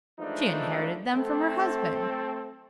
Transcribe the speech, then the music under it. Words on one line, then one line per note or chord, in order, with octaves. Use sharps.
She inherited them from her husband.
E3 F3 G#3 A3 D4 D#4
A3 C4 A4